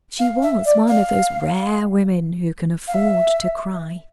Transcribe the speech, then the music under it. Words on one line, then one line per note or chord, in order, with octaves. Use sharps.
She was one of those rare women who can afford to cry.
F5
E5
D5
F5
F5
E5